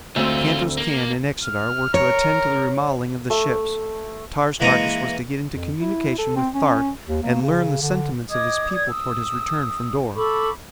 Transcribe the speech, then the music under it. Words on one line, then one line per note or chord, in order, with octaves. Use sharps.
Kantos Kan and Xodar were to attend to the remodelling of the ships. Tars Tarkas was to get into communication with Thark and learn the sentiments of his people toward his return from Dor.
D2 G#3 C4 F4
A#3
F6
A#4 C#5
A3
E3 G#3 A#3 A#5 C#6 D#6
F2
E4
A4
C4
C#4
D#2
A#3
C#3
D3
D#5 D6 D#6 G#6
D5 D#6 G#6
D#6 E6
A4 B5 C#6 D6